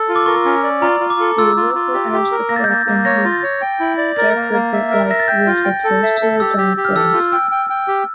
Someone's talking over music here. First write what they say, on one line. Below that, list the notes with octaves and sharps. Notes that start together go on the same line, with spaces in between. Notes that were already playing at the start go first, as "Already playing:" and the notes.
The local aristocrat and his decrepit wife raise a toast to the dying flames.
Already playing: A4 E6
F4
D6
A#4 C#6
C#4
D5
F4 A#5
F4
D6
A4
F4 E6
F4
F4
G4
G4
A#4
A#3 A#6
A6
G6
A#3 A6
A#3
C#5 A#6
F4
C#5
G5
E4
D5
A#4 A6
A#3
A#3
E5
A#4
E5 A#6
A6
G5 G6
F4
G5
A4
E5
A4
G4 E6
G4
G4
F6
A4 E6
F4
G5 E6
G5
G5
G4